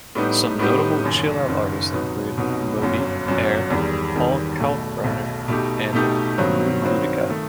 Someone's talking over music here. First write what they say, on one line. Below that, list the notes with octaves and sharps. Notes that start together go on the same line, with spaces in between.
Some notable chill-out artists include: Moby, Air, Paul Kalkbrenner, and Moonbootica.
A2 G3 B3 D#4 G4
A2 G3 B3 D#4 G4
F#1 F#2 D#3
F#1 F#2 D#3
C2 B2 F#3 B3 D#4
C2 B2 F#3 B3 D#4
G1 F#2 F#3
G1 F#2 F#3
E2 D#3 G3
E2 D#3 G3
B1 B2 A3
B1 B2 A3
B2 A3 D#4 G4
B2 A3 D#4 G4
G2 D#3 F#3 C4
G2 D#3 F#3 C4
D#3 A3